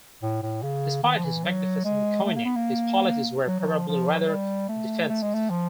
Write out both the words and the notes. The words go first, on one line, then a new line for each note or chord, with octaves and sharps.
Despite his magnificent coinage, his policies were probably rather defensive.
A2
A2
C#3
D#3
F3
E3
F#3
G#3
A3
A#3
B3
A#3
F#3
F#3
F3
F3
F#3
G3
A3
A3
G#3
A3
F3